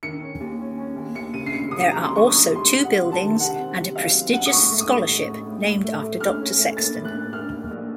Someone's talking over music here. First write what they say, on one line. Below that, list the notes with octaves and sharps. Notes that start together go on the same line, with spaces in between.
There are also two buildings and a prestigious scholarship named after Doctor Sexton.
D#3 C#7
C#4
D#2
C#4
C#4
D#2
D#2 C#7
C#3 D#7
C7
C#3 C#7
C#3 D#6
F#3 A#5
C6
D#2
C#6
C#2 D#6
C3
C6
C#2
C3 F#5
C3
A5
D#3
C3 F#5
C4
C3
F#3 F5
C4
C#2 F#5
D#6
A2 C#6
A3
D#6
A1
A1
A2
A2
A2
A3
A3
A2 F6
C#4
A3
A#3 A6
A2
F#6
A#3
A#3 F6
A#3
A#1